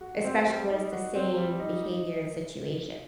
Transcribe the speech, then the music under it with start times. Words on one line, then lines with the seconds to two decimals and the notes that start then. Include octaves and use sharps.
especially when it's the same behavior and situation?
0.01 F#4
0.24 C4
0.47 G3
0.69 D#4
0.92 F#4
1.15 C4
1.37 G3
1.60 D#4
1.82 D#4